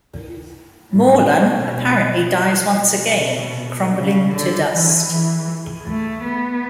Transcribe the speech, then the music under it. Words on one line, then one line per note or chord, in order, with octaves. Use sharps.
Morlun apparently dies once again, crumbling to dust.
A2
B2
B2
C#3
D3
E3
E3
A3
B3